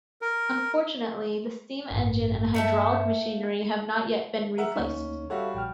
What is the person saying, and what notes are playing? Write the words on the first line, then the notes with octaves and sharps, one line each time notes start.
Unfortunately, the steam engine and hydraulic machinery have not yet been replaced.
A#4
A1 G2
A3 A#3 E5 A5
A#4 E5 F#5
D2 A#3 C#4 D#4
G3 F#4 A4 C#5 E5 F5
A#1 G5 F6